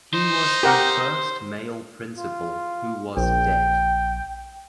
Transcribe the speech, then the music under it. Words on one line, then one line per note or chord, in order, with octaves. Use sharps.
He was the first male principal who was deaf.
D#4 C5
G4 A#4 F#5
F4
A#1 G5